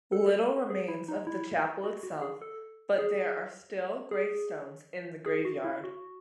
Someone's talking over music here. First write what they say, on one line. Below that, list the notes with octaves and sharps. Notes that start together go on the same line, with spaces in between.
Little remains of the chapel itself but there are still gravestones in the graveyard.
A4
G#4
E4
D#4
E4
F#4
F#4
G#4
A4
G#4
G#4
G#4
F#4
E4
F#4